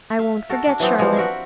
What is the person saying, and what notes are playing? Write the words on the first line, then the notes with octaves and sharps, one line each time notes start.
'I won't forget, Charlotte.'
E5 F5
F#4 A4 A#4
D4
E3 F#3 B3 C4
E3 F3 G3
F#4 A#4 E5